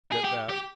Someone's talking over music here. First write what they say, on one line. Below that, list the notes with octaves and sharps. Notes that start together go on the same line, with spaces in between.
Get that?
G#4
G4
G4